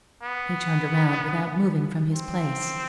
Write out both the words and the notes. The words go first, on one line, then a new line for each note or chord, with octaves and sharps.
He turned around without moving from his place.
B3
C4